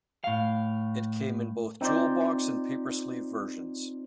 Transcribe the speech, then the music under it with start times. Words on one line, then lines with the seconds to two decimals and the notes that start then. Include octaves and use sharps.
It came in both jewel box and paper sleeve versions.
0.24 A2 F5
1.81 C4 D#4 F4 C5 D5